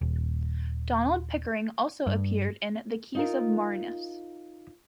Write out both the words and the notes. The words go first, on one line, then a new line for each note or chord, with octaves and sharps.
Donald Pickering also appeared in "The Keys of Marinus".
D#1
G2
D#4 F4 A#4